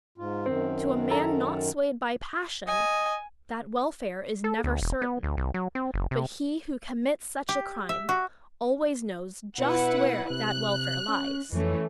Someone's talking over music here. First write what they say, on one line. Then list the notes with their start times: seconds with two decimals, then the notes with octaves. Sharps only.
To a man not swayed by passion that welfare is never certain, but he who commits such a crime always knows just where that welfare lies.
0.18 G#2 F4
0.46 F#2 D#3 C4
1.10 A4 A#5
2.67 D#5 G#5
4.44 A4
4.64 D2
4.82 E1
5.02 B3
5.23 D2
5.37 C2
5.54 F#3
5.75 C4
5.94 F#1
6.11 C3
7.49 G4
7.89 E5
8.09 F#4
9.58 B2 E4 B4 F#5
10.30 C3 F#6
11.08 C#4
11.52 F2 E3 A3 C#4